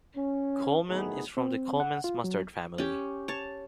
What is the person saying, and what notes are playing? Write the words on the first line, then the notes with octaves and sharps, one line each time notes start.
Colman is from the Colman's mustard family.
C#4
G#1 A2 D#3 B3 D#4 G#4
C4
F#5
F4
F#3
C#4 G4
C#5 A5